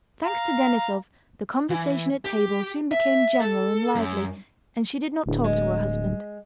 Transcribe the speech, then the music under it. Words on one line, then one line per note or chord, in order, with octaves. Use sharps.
Thanks to Denisov the conversation at table soon became general and lively, and she did not talk to her husband.
F5 A#5
E3
G4
E5
A4
F#2
D1
G#3